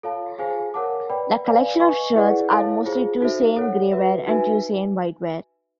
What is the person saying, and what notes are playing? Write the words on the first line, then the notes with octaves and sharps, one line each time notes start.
The collection of sherds are mostly Tusayan Gray Ware and Tusayan White Ware.
F4 A4 C#5 F5 A5
F4 G#4 C5 F5 G#5
A#4 C#5 F#5 A5 D6
B4 D5 G5 B5
B4 D5 F5 G#5
B4 D#5 G#5 C#6
E4 G#4 B4 D5 F#5
E4 A4 C#5 F5 A5
F4 G#4 C5
D#4 F#4 A4 C5 E5
A4 C#5 F#5
F#4 B4 E5
D#4 F#4 B4 E5 G#5